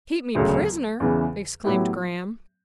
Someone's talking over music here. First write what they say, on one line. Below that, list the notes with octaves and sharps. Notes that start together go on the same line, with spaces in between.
"Keep me prisoner!" exclaimed Graham.
E1 D2 C#3 F#3
E2 C#3 E3
A2 F#3 B3 E4 G4